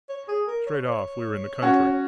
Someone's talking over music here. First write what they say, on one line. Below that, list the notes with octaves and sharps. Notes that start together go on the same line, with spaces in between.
Straight off, we were in the country.
C#5
G#4
A#4
C#5
C#5
C#4 F#4